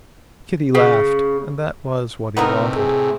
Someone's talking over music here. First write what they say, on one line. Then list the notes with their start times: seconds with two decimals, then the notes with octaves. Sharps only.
Kitty laughed; and that was what he wanted.
0.75 C#3
2.37 A2 C3 B3 D#4 A#4
2.76 G#4